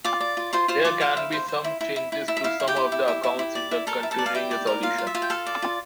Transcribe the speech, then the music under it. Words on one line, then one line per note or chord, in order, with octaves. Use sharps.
There can be some changes to some of the accounts in a continuing resolution.
F4 D5 D6
D5
F4
F4 C5 C6
F4 C5 C6
F4 D5 D6
C5 F5
E4
C5
C5
E4
E4
E4
E4
E4
E5
E4 F5
E4
G4 G5
E4
E4
E4
E4
E4
D5
E4
A4 A#4 A5
E4
A4 A5
D5
F5
E4 G4 G5
D5
A#4
F4 F5
F4
E5
F4
G5
A4 F5
D5
F4